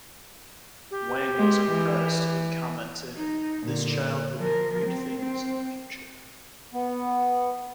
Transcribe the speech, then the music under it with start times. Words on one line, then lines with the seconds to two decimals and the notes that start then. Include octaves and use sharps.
Wang was impressed and commented, This child will do great things in the future.
0.91 G4
1.35 G#3
1.72 E3
3.18 D#4
3.64 A#2 D3
4.37 F3 A#4
4.85 C4
5.19 C4
6.74 B3